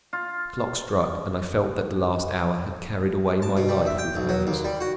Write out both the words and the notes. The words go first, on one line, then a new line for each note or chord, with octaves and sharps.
The clock struck and I felt that the last hour had carried away my life with hers.
F4
A5
B2
G3
E5
G5
B1
F#3
D#2
G3
F#4